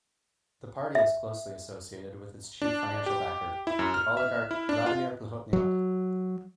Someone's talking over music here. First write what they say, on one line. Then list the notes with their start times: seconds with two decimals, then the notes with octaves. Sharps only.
The party is closely associated with its chief financial backer, the oligarch Vladimir Plahotniuc.
0.95 E5
2.62 D4
3.06 G4
3.67 E4
3.79 F#2
3.94 F6
4.17 E5
4.51 E4
4.69 D4
4.86 F4
5.53 F#3